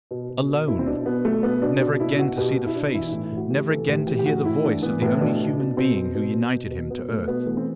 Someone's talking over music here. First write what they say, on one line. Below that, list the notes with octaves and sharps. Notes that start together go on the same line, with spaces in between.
Alone!--never again to see the face, never again to hear the voice of the only human being who united him to earth!
B2
B2
B2
B2 E4
C4
B2 D4
B2 B3
B2 A3
B2 B3
B2 D4
B2 D4
B2 E4
B2 F#4
B2 G4
B2
E4
B2 D4
E3 E4
A2 E4
E4
A2 F#4
E3 G4
E3 A4
A2 G4
E3 G4
G4
A2 F#4
A2 E4
E3 D4
E3 B3
A2 B3
B2 D4
B2
B2
B2 C4
B2
B2
B2
B2
B2
B2 B3
B2 A3
B2 B3
E3 A3
C4